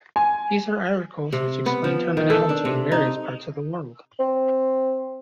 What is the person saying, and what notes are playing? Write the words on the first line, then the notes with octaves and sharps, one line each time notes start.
These are articles which explain terminology in various parts of the world.
G#5
C3
B3
F3
D#3
A4
D4
C3
D#4
C4